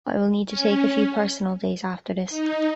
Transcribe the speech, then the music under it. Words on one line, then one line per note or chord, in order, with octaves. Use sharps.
I will need to take a few personal days after this.
C#4
D#4